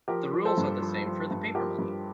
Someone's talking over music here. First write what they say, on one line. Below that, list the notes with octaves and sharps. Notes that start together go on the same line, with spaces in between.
The rules are the same as for the paper money.
F3 G4 A#4
F3
A4 C5
G2
F3
F3
G2
F3 G4 A#4
G2